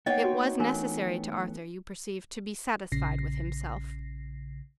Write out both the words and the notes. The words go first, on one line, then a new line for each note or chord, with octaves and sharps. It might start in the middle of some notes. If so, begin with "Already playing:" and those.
It was necessary to Arthur, you perceive, to be satisfied with himself.
A#3 B3 D#4 C#5 D#5 F#5 G5
F#4
E3 A3 B3 D4 A#4 G#5
A#1 C#3 A#6 C7